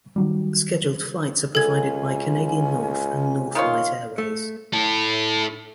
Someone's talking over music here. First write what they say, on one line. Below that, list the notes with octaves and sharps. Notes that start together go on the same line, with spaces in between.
Scheduled flights are provided by Canadian North and North-Wright Airways.
D#3 F#3 G3
C#2 A4 G#5 G#6
D#3 F4 C#5
A3
E4 A4